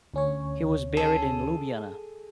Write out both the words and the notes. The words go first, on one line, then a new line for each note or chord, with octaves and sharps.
He was buried in Ljubljana.
D2 C#4 C#5
G#4 A4